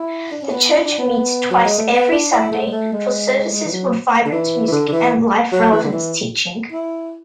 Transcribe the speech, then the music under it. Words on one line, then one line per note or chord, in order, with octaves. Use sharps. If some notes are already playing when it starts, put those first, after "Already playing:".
The church meets twice every Sunday for services with vibrant music and life-relevant teaching.
Already playing: E4
D4
C#4
B3
C#4
D4
B3
F#3
G#3
A3
B3
D4
E4
A3
G#3
A3
G#3
G#3
E3
F#3
D3
E3
E3
D3
D3
E3
F#3
E3
D3
E3
E4